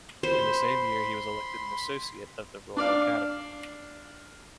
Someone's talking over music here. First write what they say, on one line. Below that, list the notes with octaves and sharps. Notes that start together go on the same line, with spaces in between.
In the same year he was elected an associate of the Royal Academy.
C5 B5 C6
D4 D5 F5